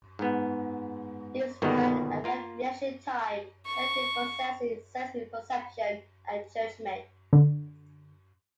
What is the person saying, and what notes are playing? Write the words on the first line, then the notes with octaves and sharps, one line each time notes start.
These can affect reaction time, cognitive processing, sensory perception, and judgment.
G#2 B3
G1 B2 D#3 G3 A#3 B3
A#3 F4 A#4
C#6
D3